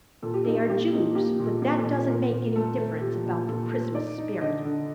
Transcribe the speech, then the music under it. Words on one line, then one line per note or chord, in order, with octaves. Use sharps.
They are Jews; but that doesn't make any difference about the Christmas spirit.
A#2 A4
G4
D#4 A4
A#3 G4
D#4
A#3 G4
A#2
A4
A#3
A4
A#2
A#2 A#4
A#2
A3 A4
A3
A#2 G4
A#2
A#2 A4
A3
D#4 D5
D#4
D3 D#5
D3